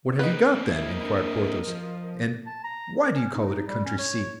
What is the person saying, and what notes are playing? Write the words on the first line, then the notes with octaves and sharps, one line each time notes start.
"What have you got, then?" inquired Porthos, "and why do you call it a country-seat?"
A#3 C4 D#4 B4
E4 A#4 D#5 E5
D4 E4
F3
A5
A#5
A#4
C#4
D#4
D#4
G3
C#4
C#5